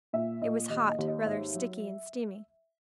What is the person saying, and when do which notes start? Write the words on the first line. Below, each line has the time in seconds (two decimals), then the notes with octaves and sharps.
It was hot; rather sticky and steamy.
0.13 A#2 E5
0.42 A#2 D#5
0.69 D#2 D#5
0.89 D#5
0.98 D#2
1.08 D#5
1.26 G#2 E5
1.54 F#3